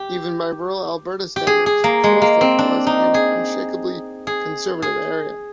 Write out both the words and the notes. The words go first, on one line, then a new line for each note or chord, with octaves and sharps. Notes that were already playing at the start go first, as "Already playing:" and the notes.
Even by rural Alberta standards, Crowfoot was an unshakably conservative area.
Already playing: G4
G4
G#4
G#4
A#3
G#3
A#3
C4
D4
D#4
G#4
G#4
G#4